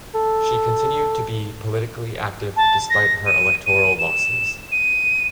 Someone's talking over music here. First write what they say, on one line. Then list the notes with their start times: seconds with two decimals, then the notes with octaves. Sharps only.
She continued to be politically active despite her electoral losses.
0.15 A4
2.56 A5
2.90 A#6
3.26 D#7
3.66 D#7
3.99 E7
4.72 D#7